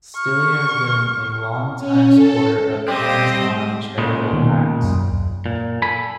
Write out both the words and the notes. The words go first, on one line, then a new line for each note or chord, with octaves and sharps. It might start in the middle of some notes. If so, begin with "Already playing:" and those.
Stilley has been a long time supporter of hands on charitable acts.
C#6 F6
C#4
A4
G3 C4 G4 C5 D#5
A#2 C#3 G#3
B2 D#3
F#2
A#2
A4 G#5 B5